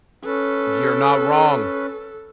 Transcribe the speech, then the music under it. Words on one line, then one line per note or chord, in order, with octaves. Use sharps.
You're not wrong.
C#4 A4 B4